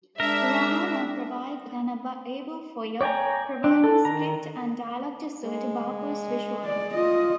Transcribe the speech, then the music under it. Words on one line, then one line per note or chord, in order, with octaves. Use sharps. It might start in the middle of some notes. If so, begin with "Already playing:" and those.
Ramana provided an able foil, providing script and dialogue to suit Bapu's visuals.
G#3 D4 A#4 E5
C#5 D5 G5 G#5 A#5
D4
A4
D#3 A#5
G#3
D5
F4 D#5